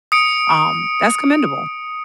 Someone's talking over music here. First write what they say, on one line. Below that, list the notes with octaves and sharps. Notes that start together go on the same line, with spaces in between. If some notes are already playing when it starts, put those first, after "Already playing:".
um, that's commendable
D#6 C#7 D7